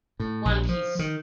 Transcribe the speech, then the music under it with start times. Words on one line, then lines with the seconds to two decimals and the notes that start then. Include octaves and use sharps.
One Piece.
0.20 A2
0.45 A#1
0.69 F3
0.99 D#3